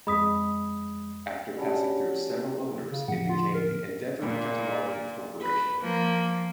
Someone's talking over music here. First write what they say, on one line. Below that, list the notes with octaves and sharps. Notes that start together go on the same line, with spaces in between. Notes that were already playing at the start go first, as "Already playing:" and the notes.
After passing through several owners it became the Endeavour Catamaran Corporation.
F2 G#3 B5 D#6 B6
G3 C#4 D4 F#4
C#3
A2 D3 F3 F#5
F4
A#4
A#2
B4
F3 A#3